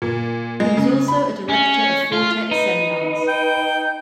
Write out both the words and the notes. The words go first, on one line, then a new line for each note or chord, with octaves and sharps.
He was also a Director of Foretec Seminars.
A#2
G#3
C#3
B5
C#4
F4
D#4 B4
G5